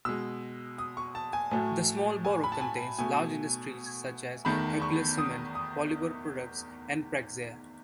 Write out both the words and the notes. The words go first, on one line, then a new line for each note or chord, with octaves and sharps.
The small borough contains large industries such as Hercules Cement, Polymer Products, and Praxair.
B2 G#3 E6
D#6
C#6
A5
G#5
A2 F#3 A3 G#5
G#5
B5
A5
G#5
B2 A3 G#5
E2 D#3 A3 B5
C#6
D#6
D#6